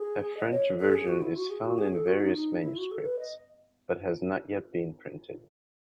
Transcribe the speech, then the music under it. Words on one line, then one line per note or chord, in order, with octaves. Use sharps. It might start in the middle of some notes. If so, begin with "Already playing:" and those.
A French version is found in various manuscripts, but has not yet been printed.
Already playing: G#4
D#5
C#5
A4
G#4
F#4
E4
F#4
G#4
F#4
G#4
A4
F#4
D#4
D#4
E4
F#4
A4
B4
D#5